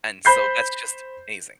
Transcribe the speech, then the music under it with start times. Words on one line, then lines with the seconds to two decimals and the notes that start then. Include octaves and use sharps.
and so, that's just amazing.
0.25 C5 B5 G6 C7